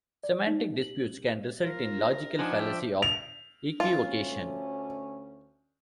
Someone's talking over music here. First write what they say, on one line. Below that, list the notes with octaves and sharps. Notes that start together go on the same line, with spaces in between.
Semantic disputes can result in the logical fallacy of equivocation.
D5
D#4
F#7
F4 A#4
F3 D4 D#4 F#5 G#5
E5 G5
F7
D2 A3 C#4 F4